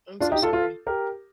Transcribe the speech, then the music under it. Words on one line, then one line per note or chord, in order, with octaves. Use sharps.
I'm so sorry.
D4 F4
D#4 G4
F4 A4
F4 A4
G4 A#4